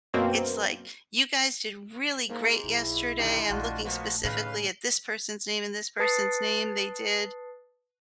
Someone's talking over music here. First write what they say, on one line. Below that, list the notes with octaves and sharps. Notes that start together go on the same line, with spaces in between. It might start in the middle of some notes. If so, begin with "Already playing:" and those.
it's like, "You guys did really great yesterday. I'm looking specifically at this person's name and this person's name. They did,
F#2 B2 A#3 C4
G#2 A#3
B1 E4
D3 D#3 D#4 G4
A#1 A3 D4 F4 F#4
F3 A#3 B3 F#4
D#2 A2 C#3 B4 F5
B4 A5 D#6 A6 C7 C#7